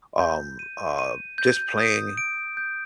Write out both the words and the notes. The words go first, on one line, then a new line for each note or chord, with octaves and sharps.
um, uh, just playing
G6
D#7
D#7
G6
D#6
D7
G6